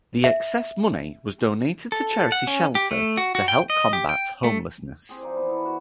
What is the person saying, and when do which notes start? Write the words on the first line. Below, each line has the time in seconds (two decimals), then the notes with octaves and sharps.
The excess money was donated to charity Shelter to help combat homelessness.
0.24 E5
1.92 A4
2.32 F#5
2.47 C#4
2.75 G4
2.91 A3
3.17 F#4
3.35 F#4
3.48 G5
3.70 D#5
3.93 G4
4.09 G5
4.44 A3
5.09 C4 G4 G#4
5.22 F3 D#4 G#4 D5
5.37 E3 B3
5.50 A4 B5
5.65 F#4